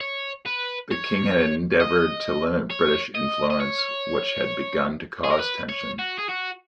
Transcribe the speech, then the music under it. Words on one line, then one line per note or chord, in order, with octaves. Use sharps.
The King had endeavored to limit British influence, which had begun to cause tension.
C#5
B4
C#5
D#5
C#5
D#5
D#5
C#5
G#4
A#4
B4
C#5
F#4
G#4
F#4